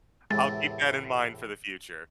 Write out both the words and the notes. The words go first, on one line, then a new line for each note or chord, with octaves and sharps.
I'll keep that in mind for the future.
E2 A2 C3 G#3 A6